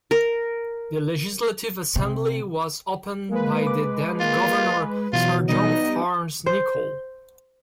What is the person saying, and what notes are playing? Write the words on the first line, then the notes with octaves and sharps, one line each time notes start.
The Legislative Assembly was opened by the then governor Sir John Fearns Nicoll.
A#4
C3
G#3 A#3 B4
D6
A#3 F4
B2 E3 F#3 F4
G3 B3 D#4 D#5
C5